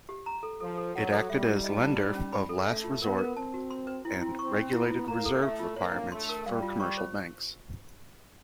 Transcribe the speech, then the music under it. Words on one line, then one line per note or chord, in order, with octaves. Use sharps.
It acted as lender of last resort and regulated reserve requirements for commercial banks.
G4
A#5
A4
F3 A4
A4
F#3 F#5
A4
G3 E5
E4
D#5
D#4
C5
C#4
B5
A4
A3 E5
F4
B3 A#4
A#4
C4 A5
F#4
C6
B4
C4 E4
E4
C4 C#6
C5
B3 E4
E4
A#3 A#5
A4
A3 E5
F4
A#3 C#5
D4
A3 C6
A#4
G3 F5
F4
C#6
C5